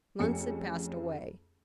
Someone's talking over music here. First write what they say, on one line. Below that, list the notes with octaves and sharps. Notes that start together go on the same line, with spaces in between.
Months had passed away.
F2 A3 C#4 G4 G#4 C#7